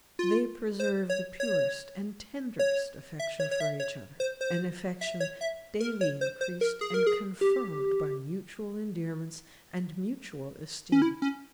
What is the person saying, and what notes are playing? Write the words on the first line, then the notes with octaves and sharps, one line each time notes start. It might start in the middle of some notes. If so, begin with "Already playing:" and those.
They preserve the purest and tenderest affection for each other, an affection daily encreased and confirmed by mutual endearments and mutual esteem.
F4
C5
C#5
C#5
C#5
E5
C#5
C#5
E5
C#5
C5
C5
E5
C#5
E5
A#4
C#5
C5
C5
A#4
G#4
A#4
G#4
G4
C#4
E4
C#4